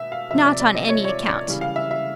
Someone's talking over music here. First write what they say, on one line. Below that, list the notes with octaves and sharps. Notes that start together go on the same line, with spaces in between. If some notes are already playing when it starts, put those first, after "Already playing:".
Not on any account.'
Already playing: B2 E5
F5
C3 F3 E5
D5
D5
D#5
C#5
C#5
D5
D5
C#3 E3 G3
F5
E5
E5